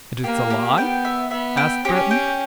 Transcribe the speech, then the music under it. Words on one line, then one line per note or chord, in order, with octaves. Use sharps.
"And--it's a lie?" asked Breton.
A#3 G4
G4
B3 G5
E5
B3 E5
G5
C#4 G4
G5